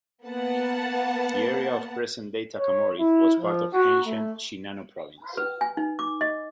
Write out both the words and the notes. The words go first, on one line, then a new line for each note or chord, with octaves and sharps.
The area of present-day Takamori was part of ancient Shinano Province.
A#3 B3 B4 F#5 A5
C#5
E4
F3
F#4
A3
B4
G#5
D#4
D6
D#5